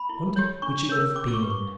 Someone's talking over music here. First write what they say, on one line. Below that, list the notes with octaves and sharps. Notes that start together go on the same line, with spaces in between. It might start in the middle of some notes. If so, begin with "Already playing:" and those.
I wonder which it would have been?
Already playing: B5
E4
G4 C#5
D4 C#6
A#4 C#5
C#4 D6
D6
C#6
G4 B4
C#6